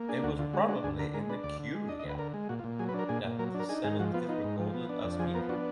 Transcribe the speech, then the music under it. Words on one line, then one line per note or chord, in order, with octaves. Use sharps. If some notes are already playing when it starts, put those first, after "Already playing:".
It was probably in the curia that the senate is recorded as meeting.
Already playing: A#3
D4 G#4
D2 F#4
D3 F4
G#3 F#4
D4 F#4
D2 G#4
D3 A#4
G#3 A#4
D4 B4
D2 D5
D3
G#3
D4 D#5
D#5
D2 B4
D3 A#4
G#3
A#2 F#4
F4
A#2
F#3 G#4
B4
D4
A#4
A#2 G#4
A#2
F#3 A#4
D4
A#4
D#4 G#4
G#2 G#4
F3 F#4
B3 F4
D#4 F4
G#2
F3
B3
D4
F2
F3 G#4
B3 A#4
D4 F#4